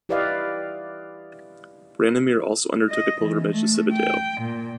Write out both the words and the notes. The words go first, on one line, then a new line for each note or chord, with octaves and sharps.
Branimir also undertook a pilgrimage to Cividale.
E4 G4 B4 D5 D#5 F5
D#5
E3
A3
G5
A#2